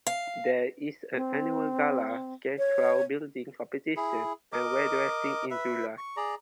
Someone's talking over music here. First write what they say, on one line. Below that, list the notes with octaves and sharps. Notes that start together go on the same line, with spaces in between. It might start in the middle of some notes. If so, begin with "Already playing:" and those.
There is an annual gala, scarecrow building competition and well dressing in July.
F5
C4
C#5
E4 G#4
A#4 D#5 D6
B4 E5
C#6
G#4 D5 A#5